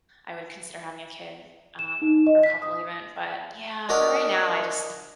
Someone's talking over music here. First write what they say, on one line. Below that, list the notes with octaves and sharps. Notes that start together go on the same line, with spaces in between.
I would consider having a kid, um, or a couple even, but yeah, for right now, I just
E7
D#4
D#5
B6
D#6
C#4 D4 F#4 A#4 D#5